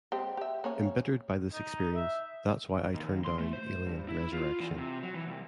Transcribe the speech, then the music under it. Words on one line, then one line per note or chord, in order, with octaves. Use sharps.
Embittered by this experience, that's why I turned down "Alien Resurrection".
G#3 C4 G4
G4 E5
A#3 C#4 C#5
D#4
E5
D#2
C6
A3
C5
G2
E4
F4
E2
C3
F#3
E3
C2